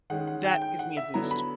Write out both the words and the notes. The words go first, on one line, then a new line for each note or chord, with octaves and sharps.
that gives me a boost.
D#3 G#3 C#4 F#5
F#5
G5
G5
F#5
E5
D3 F#3 B3 E4 A#5
B5